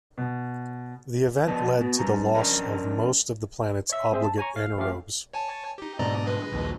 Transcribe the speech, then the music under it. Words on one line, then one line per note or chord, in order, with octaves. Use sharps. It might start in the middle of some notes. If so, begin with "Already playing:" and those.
The event led to the loss of most of the planet's obligate anaerobes.
B2
F2 B3 D5 D#5 A5
B3 F#4
G2 C#4 A#5
F2 C#4 D4 A#4 D#5 A#5
C#5 D#5 E5
G#3 C4 G#4 C5 E5
A5
C#5 G#5 A#5 C#6
F5
F3 A3 C#4 G4 F5
C#5 G#5 A5
D#4 G4
G#2 B2 D3 D5 D#5 A#5
G#3 B4 D#5
A#1 D#2